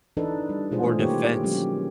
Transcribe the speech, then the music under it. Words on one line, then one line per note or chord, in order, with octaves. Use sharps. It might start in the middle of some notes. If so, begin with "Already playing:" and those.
Or defense.
E3 D4 D#4 A4 B4
G3
B2 G#3 F4 G#4 C5
E3 A3
D#3 A#3 F4 G4 B4 C#5
F#3 G#3 C#4 G4